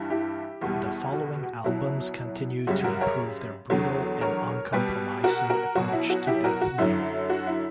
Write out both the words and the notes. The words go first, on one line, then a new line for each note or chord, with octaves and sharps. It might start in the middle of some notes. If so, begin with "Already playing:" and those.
The following albums continued to improve their brutal and uncompromising approach to death metal.
Already playing: G2 E3 G3
E4 G4
E2 B2 G3
F#4
B2 F#3 E4
F#2 C#3 G3 F#4
F#4 A#4
A#4 C#5
E2 D3 F#3
A#4 C#5
B2 G3 G4 B4
F#4 A#4
F#4 A#4
B2 F#3 F#4
E4
F#4
E4 G4
F#4 A#4
F#4
F#2 D3 F#3 E4
F#4
E4